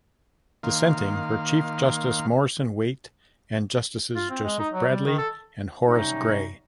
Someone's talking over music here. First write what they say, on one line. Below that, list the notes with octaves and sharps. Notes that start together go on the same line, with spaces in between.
Dissenting were Chief Justice Morrison Waite and Justices Joseph Bradley and Horace Gray.
D#3 A#3 F5 C6
F4
C4
G#3
D#4
F#3
G3
D#3
A4
C3 F#3 G3 C4 C#4 D#4